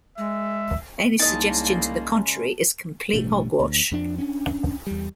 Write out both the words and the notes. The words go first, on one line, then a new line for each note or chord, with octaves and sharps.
Any suggestion to the contrary is complete hogwash.
G#3 E5
C2 C#3 G#3 A#3 C#4 D#4 D#5 A5
A1 G2 B2 A3
D2
F2 F3 D4
C#4 D4
E2 G3